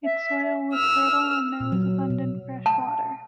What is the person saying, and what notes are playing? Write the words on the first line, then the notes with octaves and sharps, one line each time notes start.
Its soil was fertile and there was abundant fresh water.
E5
E6 F6
A#2
F#3
B2
A5